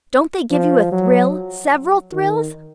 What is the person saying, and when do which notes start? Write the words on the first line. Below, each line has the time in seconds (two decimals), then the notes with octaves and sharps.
Don't they give you a thrill--several thrills?
0.51 F3
0.92 F#3
2.13 D#3